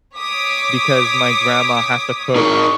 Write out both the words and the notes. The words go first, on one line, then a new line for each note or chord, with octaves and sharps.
because my grandma has to cook
C#5 D6 D#6 B6
D#4 G#4 A#4 C#6